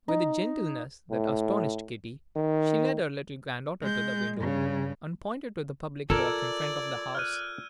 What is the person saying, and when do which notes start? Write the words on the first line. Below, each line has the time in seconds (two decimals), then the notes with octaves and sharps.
With a gentleness that astonished Kitty, she led her little granddaughter to the window, and pointed to the public walk in front of the house.
0.08 D#4
1.11 A2
2.36 D#3
3.82 G#3 G6
4.39 G2 C#3
6.10 F4 A4 A#4 D5 E6 G#6 D7
7.15 F6 F#6 D#7